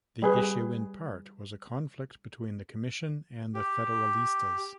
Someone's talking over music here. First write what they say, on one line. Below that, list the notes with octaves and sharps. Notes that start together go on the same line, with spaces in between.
The issue in part was a conflict between the Commission and the Federalistas.
G3 G#4 B4
G4